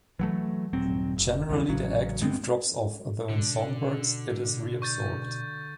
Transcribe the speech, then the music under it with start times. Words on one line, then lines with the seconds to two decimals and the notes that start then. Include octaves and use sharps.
Generally, the egg tooth drops off, though in songbirds it is reabsorbed.
0.19 E3 F#3 A3
0.73 D#1 F#3 C4
1.17 F1
1.49 C2 F2 E3
1.69 A1 C#3 F#3
2.21 G2 G#3 B3 C4
3.29 B2 D3
4.82 C#6 G6 A6